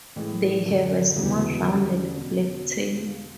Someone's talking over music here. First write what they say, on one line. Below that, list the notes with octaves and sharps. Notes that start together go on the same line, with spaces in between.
They have a small rounded black tail.
A2 E3 G#3
F#2 D3 F#3
E1 D2 C#3 E3 B3
E2 D3 F#3 C#4
B2 F#3